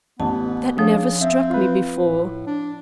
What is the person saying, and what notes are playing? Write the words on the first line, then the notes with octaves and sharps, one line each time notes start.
"That never struck me before."
A1 B3 A5
F3 C#4 D4 G#4 D#6
C4 E5
F4 B4
A2
D4